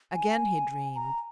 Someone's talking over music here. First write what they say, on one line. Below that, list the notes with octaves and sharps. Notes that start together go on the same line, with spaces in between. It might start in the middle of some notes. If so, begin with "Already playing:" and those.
Again he dreamed.
G#5
A#5